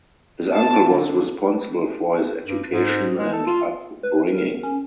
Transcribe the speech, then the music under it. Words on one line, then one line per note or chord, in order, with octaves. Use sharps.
His uncle was responsible for his education and up bringing.
A5
D3
G2
G#2
G#3
A4
F4
B4
A#4
C#4